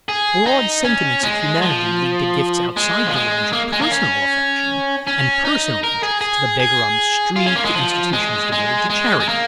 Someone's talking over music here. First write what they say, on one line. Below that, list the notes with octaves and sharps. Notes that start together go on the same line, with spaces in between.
Broad sentiments of humanity lead to gifts outside the range of personal affection and personal interest, to the beggar on the street, to institutions devoted to charity.
G#4
D#4
C#4
G#3
F3
G#3
F3
G#3
A#3
G#3
A#3
C#4
C#4
D#4
A#4
G#4
G#4
G#4
F4
C#4
A#3
G#3
F3
G#3
G#3
G#3
G#3
A#3